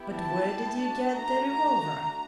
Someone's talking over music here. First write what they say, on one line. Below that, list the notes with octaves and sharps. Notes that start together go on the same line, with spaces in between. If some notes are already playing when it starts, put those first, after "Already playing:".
But where did you get the revolver?
Already playing: B3 E4 G4
A5
A3 D4 F#4 A5
A#5
A#5